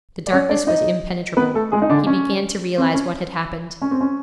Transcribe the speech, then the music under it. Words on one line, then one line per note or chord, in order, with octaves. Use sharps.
The darkness was impenetrable. He began to realize what had happened.
D5
C#4 C#5
D4 D5
D#4 D#5
B3 B4
A3 A4
G#3 G#4
D#4
D3 D4
C#4
C4
C#4
C#4
C4
C#4